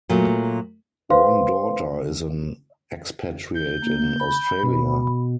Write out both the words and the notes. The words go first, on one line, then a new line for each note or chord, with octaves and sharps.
One daughter is an expatriate in Australia.
A#2 F#3 A3
B4 C5 F5 C6
G6
A#3
B5
B2